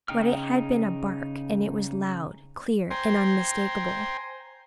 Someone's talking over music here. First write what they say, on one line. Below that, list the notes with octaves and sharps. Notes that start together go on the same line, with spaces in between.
But it had been a bark and it was loud, clear, and unmistakable.
C#3 D#4 G5 F6
C5 G5 G#5 A#5 C6